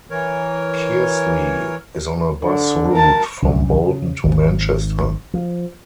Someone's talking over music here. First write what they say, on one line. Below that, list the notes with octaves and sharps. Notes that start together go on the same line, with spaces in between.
Kearsley is on a bus route from Bolton to Manchester.
E3 A#4 C#5
D3
A#4 A5
C2 F#2 A#2 D3
C#3
G#1
F3